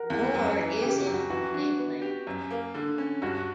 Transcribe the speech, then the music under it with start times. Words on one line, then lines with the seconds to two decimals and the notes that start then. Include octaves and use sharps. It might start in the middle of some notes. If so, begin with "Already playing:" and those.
Nor is it niggling.
Already playing: A#4 F#5
0.10 E2
0.34 F#2
0.58 E3
0.82 C#3 G4
0.98 F#4
1.06 F#2
1.14 F#4
1.30 E3 F#4
1.54 D4
1.78 B3
2.02 G4
2.27 F#2
2.50 A#3
2.74 D3
2.98 C#4
3.22 G2 F#4